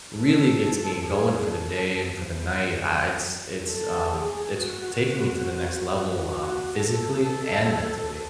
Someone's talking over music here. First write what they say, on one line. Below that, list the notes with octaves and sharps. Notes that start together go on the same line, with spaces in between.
really gets me going for the day and for the night, I it's it's, um, it's taking me to the next level, um, physically and mentally.
A4
G#4
A4
A4
G#4
F#4
F#4
A4
A4